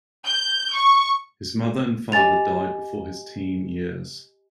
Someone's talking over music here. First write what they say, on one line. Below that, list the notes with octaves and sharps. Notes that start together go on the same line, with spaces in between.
His mother and father died before his teen years.
G6
C#6
G4 D#5 G#5 A6 F7